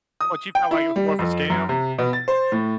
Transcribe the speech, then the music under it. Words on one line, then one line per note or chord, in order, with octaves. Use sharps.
But you felt like it was more of a scam?
D#6
G5
E4
G3
F2
F#2
C3
B2
A6
C5
A2